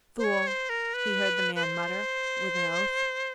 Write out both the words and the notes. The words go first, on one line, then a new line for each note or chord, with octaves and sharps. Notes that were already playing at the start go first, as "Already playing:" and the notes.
"Fool!" he heard the man mutter, with an oath.
C5
C#5
C5
A#4
B4
B4
C5